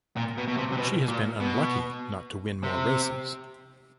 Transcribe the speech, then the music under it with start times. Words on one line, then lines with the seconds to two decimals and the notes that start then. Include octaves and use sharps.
She has been unlucky not to win more races.
0.17 A#2
0.38 B2
0.48 B2
0.58 C3
0.73 C3
0.78 B2
1.09 A#2
1.40 B2
2.63 C3